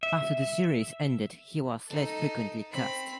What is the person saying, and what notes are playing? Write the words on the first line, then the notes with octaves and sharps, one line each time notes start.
After the series ended, he was less frequently cast.
E5
D#4 A4
C4 B5